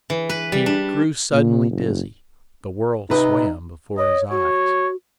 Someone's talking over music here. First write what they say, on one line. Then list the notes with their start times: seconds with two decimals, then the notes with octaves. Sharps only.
He grew suddenly dizzy; the world swam before his eyes.
0.10 E3
0.29 B4
0.52 G3
0.66 D4
1.33 A#2
1.71 F#1
3.10 C3 D#4 B4 D#5
3.98 C#5 D#5
4.31 F#4 C#5